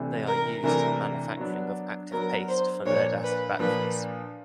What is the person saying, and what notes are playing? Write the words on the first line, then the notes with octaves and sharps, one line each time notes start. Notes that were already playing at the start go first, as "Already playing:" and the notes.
They are used in manufacturing of active paste for lead acid batteries.
Already playing: C3 E3 A3 D4
A#4
C3 E3 A3 D4 A#4
F#3 B3 D4
F#3 B3 D4 A#4
C5
A#2 F3 A#3 D4 C#5
B4
A#2 F3 A#3 D4 B4